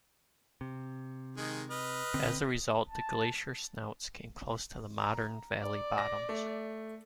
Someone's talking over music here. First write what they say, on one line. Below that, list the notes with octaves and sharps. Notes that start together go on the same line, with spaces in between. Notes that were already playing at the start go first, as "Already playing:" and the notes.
As a result, the glacier snouts came close to the modern valley bottoms.
C3
D#3 G#3
B4 D#5 F6
D3 C4
A5
A#5
D5
A#6
A3